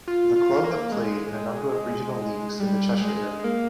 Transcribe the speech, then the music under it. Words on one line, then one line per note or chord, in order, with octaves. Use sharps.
The club have played in a number of regional leagues in the Cheshire area.
F4
F4
A#3
G#3
G3
G#3
G#3
A#3